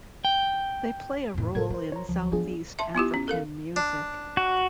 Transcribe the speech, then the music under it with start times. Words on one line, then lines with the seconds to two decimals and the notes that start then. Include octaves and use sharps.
They play a role in southeast African Music.
0.25 G5
1.34 F2 A2
1.55 A2 F3 A4 A#4 G#6
1.70 F4 A#4 C5
1.92 C#5 A#5
2.09 D2 F3
2.32 B3 D4 F4 G#4
2.79 E5 A5 C6
2.95 B3 E4 F4 G4
3.14 C#4
3.28 A4 A#4 F5
3.76 D4
4.37 F#4